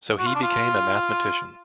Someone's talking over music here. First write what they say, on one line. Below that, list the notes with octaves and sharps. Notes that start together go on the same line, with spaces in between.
So he became a mathematician.
F#4
F4
D4
F4